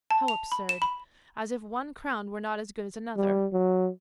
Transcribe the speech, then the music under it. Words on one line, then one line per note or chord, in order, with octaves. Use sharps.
How absurd--as if one crown were not as good as another.
A5
F7
B5
E7
B5
G3
F#3